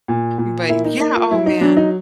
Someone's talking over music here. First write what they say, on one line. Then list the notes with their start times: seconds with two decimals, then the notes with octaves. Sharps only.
But yeah, oh, man.
0.08 A#2
0.38 A#2
0.69 A#3 E4
0.85 D#4
1.00 A#3 D#4
1.15 F4
1.31 F#3 E4
1.46 D#4
1.61 F#3 D4
1.77 D#4